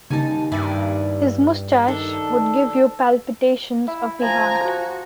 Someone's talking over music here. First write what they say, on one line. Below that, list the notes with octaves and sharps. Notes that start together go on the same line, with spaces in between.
His moustache would give you palpitations of the heart.
D#2 C#3 G3 D#4 G#5 A5
G2 E4 D5 G#5 B5
D#3 D4 A4
E4
F3 G#5 A#5
F#4